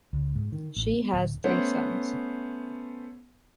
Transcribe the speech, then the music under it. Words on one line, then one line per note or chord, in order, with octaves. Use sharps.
She has three sons.
C#2
G#2
D#3
A1
B3
D1
A3 B3 C#4 C5